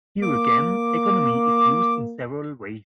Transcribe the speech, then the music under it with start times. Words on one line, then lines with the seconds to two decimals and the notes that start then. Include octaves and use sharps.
Here again, "economy" is used in several ways.
0.22 A#3 D6